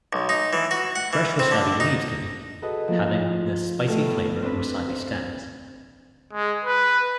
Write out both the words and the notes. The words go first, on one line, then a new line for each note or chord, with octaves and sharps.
Fresh wasabi leaves can be eaten, having the spicy flavor of wasabi stems.
B1
D#4
E3
F#4
F#5
E3
C4
D3
D#4
F#4 G#4 A4 B4 D#5
F3 A#3
A2 A4 F6
B3
C4 D4 B4
C5
G#3
B4